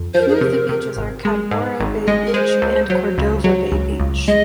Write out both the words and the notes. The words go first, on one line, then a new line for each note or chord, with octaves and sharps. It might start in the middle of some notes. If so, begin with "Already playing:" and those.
Two of the beaches are Cadboro Bay Beach and Cordova Bay Beach.
Already playing: F2
F3 C5
A#4
G#4
A#4
C3
C3
G#1
G#3
G#2
G#1
G#3 D#5
A#4
G#3 C5
C#2
F#3
C#2
F#3
C#2
C#2
G#3 D#5